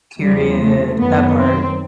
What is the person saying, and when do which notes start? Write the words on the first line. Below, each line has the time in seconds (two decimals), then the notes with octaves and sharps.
Period, that part.
0.20 E2 C#3 F3 G3
0.59 A3
0.99 F#2 D#3 B3
1.38 C4